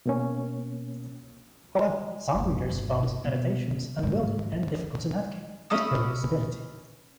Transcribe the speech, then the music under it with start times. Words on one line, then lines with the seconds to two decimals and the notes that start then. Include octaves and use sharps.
However, some readers found these annotations unwieldy and difficult to navigate, with poor usability.
0.06 B2 A#3 C#4
2.34 G#1 F2
2.69 G1 D3
3.00 E4 F4
3.24 B2 B3
4.03 G#2
4.52 F4
5.70 C#4 B5 D#6 E6